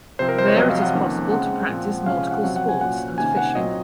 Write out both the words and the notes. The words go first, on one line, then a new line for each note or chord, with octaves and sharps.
There it is possible to practice nautical sports and fishing.
C3 F3 C4 C5
A#4
C5
C#5
F2 C3 F#3 C4 D#5
F5
F#5
F2 D#3 A#3 C#4
C#3 G#3 C4 F#5
A#2 F3 C4
C3 F3 G#3 C#4 F5
F#5
F2 C3 F#3 C4 F#5
F#5
G#5
A#2 F#3 A#3 C#4 F#5
C3 D#3 A#3 C#4 G#5
F#5
A#2 F#3 C4 D#5